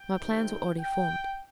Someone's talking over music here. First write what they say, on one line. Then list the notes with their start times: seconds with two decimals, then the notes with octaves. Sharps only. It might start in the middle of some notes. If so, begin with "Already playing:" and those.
My plans were already formed.
Already playing: G5
0.20 C2 C3 D#3 C4
0.79 G5